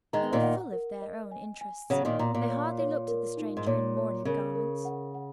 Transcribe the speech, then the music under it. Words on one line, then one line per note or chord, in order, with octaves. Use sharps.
They were full of their own interests; they hardly looked at the stranger in mourning garments.
D#3 G#3 A#5
A#2 D#3
F#5
A#4
D#5
G#5
G#5
C#3 F#3 C#5
A#2 D#3
A#2 A#5
A#2
C#5
C#5
A#4
D#4
G#2
A#2 C#5
C#5
C#3 A#4
A#4
F#5
F#5